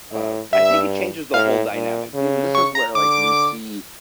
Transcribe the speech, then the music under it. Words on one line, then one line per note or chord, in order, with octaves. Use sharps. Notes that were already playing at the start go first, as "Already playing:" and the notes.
uh I think it changes the whole dynamic. See and this is where, like, we see
A2
G2 E5
A2 F5
A#2
C#3
C#6
A#5
D3 D6